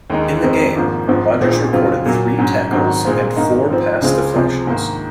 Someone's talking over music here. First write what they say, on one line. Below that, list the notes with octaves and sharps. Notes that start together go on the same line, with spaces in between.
In the game, Rogers recorded three tackles and four pass deflections.
D#2 D#3 G#3 D#4
F2 D#3 G#3 C4 D#4
G#1 G#2 F3 A#3
G#1 G#2 F3 C4
A#1 A#2 F3 G#3 C4
F2 C#3 F#3 C4 F4
A#2 F#3 A#3
G#2 F#3 C#4
G#1 G#2 D#3 F#3
A#2 G#3 C4 F4
G#2 D#3 A#3 D#4
G#2 F3 C4
C#2 C#3 G#3 C4 F4
C#2 C3 F3 G#3
G#2 D#3 A#3